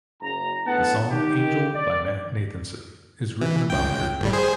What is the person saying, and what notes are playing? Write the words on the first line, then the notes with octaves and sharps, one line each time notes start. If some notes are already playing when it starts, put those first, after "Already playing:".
The song "Angel" by Matt Nathanson is written about her.
F#1 A#5
A2 B3 D4 F#5 A5
D#3 G4
D5
E3
C#2 G5
G1 A2 G3
G#4 C5